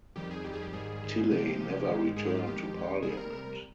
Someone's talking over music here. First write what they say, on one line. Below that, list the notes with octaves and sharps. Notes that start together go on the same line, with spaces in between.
Tilley never returned to Parliament.
F2 D#3 G3 G4
G#4
F2 D#3 G3 G4
G#4
G4
G#2 D#3 G3 G#4
G#2 D#3 G3
C3 F3 G#3 G4
C3 F3 G#3
G#2 D#3 G#3
G#2 D#3 G#3 G#4
G4
F4
F2 D#3 G#3 G4
F2 D#3 G#3
C3 G3 G#4
A#4
C3 G3